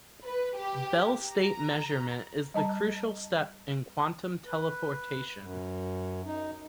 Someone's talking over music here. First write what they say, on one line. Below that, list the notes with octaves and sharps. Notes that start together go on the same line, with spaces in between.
Bell-state measurement is the crucial step in quantum teleportation.
B4
G4
A#5
G3 D#5 A5 A#5
B4
F#2
D#4